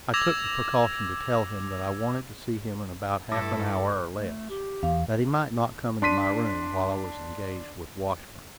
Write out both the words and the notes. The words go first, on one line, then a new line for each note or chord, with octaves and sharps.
I took the precaution to tell him that I wanted to see him in about half an hour or less, that he might not come into my room while I was engaged with Washburn.
D6 E6 G#6 A#6 F7
G2 A3 E4 A4 D6 E6 A#6
A3
G4
E2 F5
D4 C6 B6 D#7